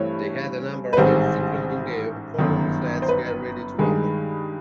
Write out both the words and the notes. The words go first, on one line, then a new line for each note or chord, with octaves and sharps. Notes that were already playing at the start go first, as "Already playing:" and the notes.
They had a number of hits including the eponymous Let's Get Ready to Rhumble.
Already playing: G2 E3 A3 C4 C#5
B4
A1 G#2 D#3 G3 C4 C5
G1 F#2 D#3
C5
B4
G2 D#3 G#3